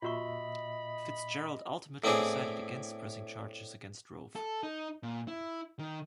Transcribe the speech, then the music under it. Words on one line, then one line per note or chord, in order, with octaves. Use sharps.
Fitzgerald ultimately decided against pressing charges against Rove.
A#2 F4 F#4 D#5 E5 B5 C#6
A2 B3 C4 D4 E4 G#4
A4
D#4
A#2
E4
D#3